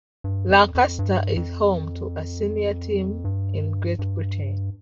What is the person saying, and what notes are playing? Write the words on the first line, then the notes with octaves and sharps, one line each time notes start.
Lancaster is home to a senior team in Great Britain.
G2
F2
F2
G2
F2
G2
G2